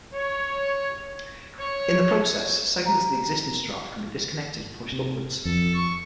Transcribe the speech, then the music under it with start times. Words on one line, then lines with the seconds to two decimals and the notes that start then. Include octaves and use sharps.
In the process, segments of the existing strata can be disconnected and pushed upwards.
0.13 C#5
1.59 C#5
2.86 A#5
4.92 C3
5.45 F2 A4
5.74 C#6